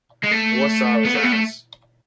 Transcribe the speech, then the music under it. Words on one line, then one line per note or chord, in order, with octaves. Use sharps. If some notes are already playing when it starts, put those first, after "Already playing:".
Warsaw is ours!
G#3
A3
B3
A3
B3
A3